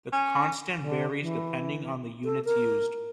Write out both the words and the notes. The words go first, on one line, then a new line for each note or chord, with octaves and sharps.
The constant varies depending on the units used.
C#4
D3
E3
A4
A#4